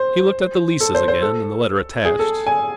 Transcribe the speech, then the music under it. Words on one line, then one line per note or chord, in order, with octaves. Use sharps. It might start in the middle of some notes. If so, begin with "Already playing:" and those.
He looked at the leases again and the letter attached.
Already playing: C5
A4
C5
C5
A4
G#4
A4
G#5